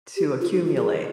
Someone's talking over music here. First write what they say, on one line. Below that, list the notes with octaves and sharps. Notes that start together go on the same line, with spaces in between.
To accumulate.
G4
F4
D#4
F4
G#4